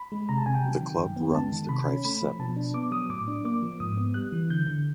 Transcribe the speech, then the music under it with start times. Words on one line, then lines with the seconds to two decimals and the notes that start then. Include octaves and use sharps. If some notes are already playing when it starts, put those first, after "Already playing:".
The club runs the Crieff Sevens.
Already playing: B5
0.12 G#3
0.29 C3 A#5
0.38 A5
0.46 C3 G#5
0.55 G5
0.64 F#3
0.81 D#3
0.99 F#2
1.16 B3
1.34 G#3 A5
1.52 D#3
1.69 C3 B5
1.87 C#4
2.04 A3 B5
2.22 F3
2.40 B2 A5
2.56 D4
2.74 B3 D6
2.92 F#3 D#6
3.10 A2 D6
3.28 D4
3.45 A#3 D6
3.63 F3
3.80 G#2 D#6
3.97 B3
4.14 G3 F#6
4.32 E3
4.50 D3 G6
4.67 D3